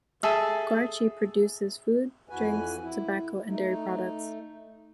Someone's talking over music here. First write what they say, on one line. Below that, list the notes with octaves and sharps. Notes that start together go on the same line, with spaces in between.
Carchi produces food, drinks, tobacco, and dairy products.
G#4 A4 E5
F2 E3 F#4 B4 G#5
E4
A3 D#4